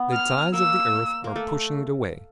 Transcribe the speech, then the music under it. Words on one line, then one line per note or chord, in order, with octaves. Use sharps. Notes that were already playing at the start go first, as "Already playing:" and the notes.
The tides of the earth are pushing it away.
Already playing: B3
F6
A#3 E6
A#3
A3